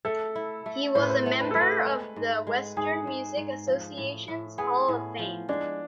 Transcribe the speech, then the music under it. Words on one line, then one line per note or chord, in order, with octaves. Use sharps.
He was a member of the Western Music Association's Hall of Fame.
A3 A4
E4
A3
A2 C5
B4
C5
A3
B4
A4
A3 B4
G#3
G#2
G#3
G#2 G#4
G#2
G#2
F3
A2
A2
B3 G#4
A2
F3
G#3 D4